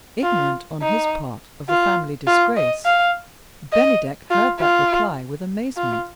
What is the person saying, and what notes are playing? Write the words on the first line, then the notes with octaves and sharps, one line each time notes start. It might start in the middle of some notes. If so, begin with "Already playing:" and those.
Ignorant on his part of the family disgrace, Bennydeck heard that reply with amazement.
F4
D#4
F4
F4
D#5
F5
D#5
F4
F4
F4